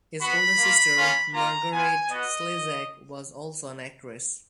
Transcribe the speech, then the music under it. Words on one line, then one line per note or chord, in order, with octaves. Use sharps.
His older sister Margarete Slezak was also an actress.
B3 F#4 B5
A#3 F4
A#3 C#4 F4
A#3 F4 A#5
B3 F4 G#5
B3 F#4 D#5